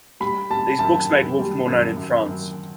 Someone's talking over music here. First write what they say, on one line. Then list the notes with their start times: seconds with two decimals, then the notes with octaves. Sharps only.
These books made Wolff more known in France.
0.20 G3 B5
0.50 G3 A5
0.79 F#2 A5
1.09 F#2
1.39 G3
1.67 F#2
1.97 F#2
2.26 F#2